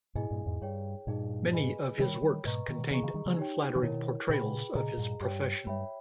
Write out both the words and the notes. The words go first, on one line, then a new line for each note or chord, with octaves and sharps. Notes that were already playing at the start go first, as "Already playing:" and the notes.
Many of his works contained unflattering portrayals of his profession.
G#2 B2 E4 G#4 D#5 G#5
G2 A#2
E2 G#2
G2 G#4 C#5 G5
G2 A#2 D#4 G#4 D#5
G#4 B4 D#5 G#5 B5
D#3 G3 A#4 C#5 G5 B5
D#3 G3
G#2 B2 B4 D#5 A#5 C#6
B2 D#3
C#3 E3 G#4 D#5 A#5 C#6
C#3 E3
D#3 G3
C#3 E3
D#4 G4 C#5 G5
E3
B2 D#3 E4 A#4 C#5
A#2 C#3 G#4 B4 G5 B5
A#2 C#3 G#4 D#5 A#5
G2 A#2
G2 G4 C#5 G5
G2 C#5 E5 G5 B5